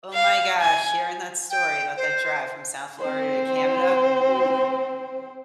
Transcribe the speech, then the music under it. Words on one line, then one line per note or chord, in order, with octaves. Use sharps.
oh my gosh, sharing that story about that drive from South Florida to Canada, oof!
F5
G#5
G5
C5
C4 C5